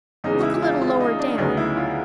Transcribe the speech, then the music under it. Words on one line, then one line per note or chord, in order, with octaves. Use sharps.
"Look a little lower down."
E2 C#3 E3 G#3 D#4
E4
F4
F4
D#4
D4
D2 C#3 F#3 B3 D#4
E4
F4